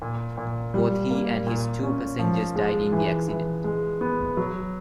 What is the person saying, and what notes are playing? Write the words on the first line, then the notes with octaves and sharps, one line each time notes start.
Both he and his two passengers died in the accident.
A#2
A#2
G3
A#3
A#2
C#4
F3
G#3
E3
E3
G#3
B3
F#3